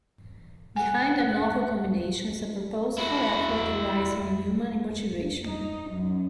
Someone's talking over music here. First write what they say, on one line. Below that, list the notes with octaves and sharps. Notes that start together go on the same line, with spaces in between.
Behind that novel combination is a purposeful effort arising in human motivation.
F#5 G#5
E4 F#4
D#4
F#2